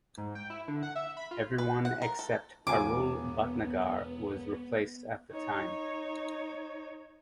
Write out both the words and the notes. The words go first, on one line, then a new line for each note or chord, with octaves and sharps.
Everyone except Parul Bhatnagar was replaced at the time.
G#2
G5
E4
D3
F#5
E5
B5
F4
B4
F#5
A#4
A4
E1 B3 F4 G#5 D6
D#4 C#5